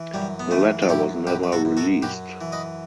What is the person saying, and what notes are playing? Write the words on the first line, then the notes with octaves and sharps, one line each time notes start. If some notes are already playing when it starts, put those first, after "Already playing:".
The letter was never released.
Already playing: E3
F#2 G3
B3
E3 A3
A4
F#2 E4 G4
F#2 G4 B4
B4
F#4 A4
F#2
F#4 A4
F#2 G4 B4
E3
B4 D#5